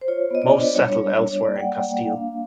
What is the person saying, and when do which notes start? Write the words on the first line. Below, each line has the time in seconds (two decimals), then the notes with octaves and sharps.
Most settled elsewhere in Castile.
0.01 C5
0.08 F4 C#5
0.31 B3 D#5
0.42 D5
0.53 D4
0.75 G3 C#5
0.98 G3
1.21 G3
1.43 A#3 D5
1.56 G5
1.60 F#5
1.65 A#3
1.77 G5
1.88 A#3
1.93 F#5
2.11 D4 F5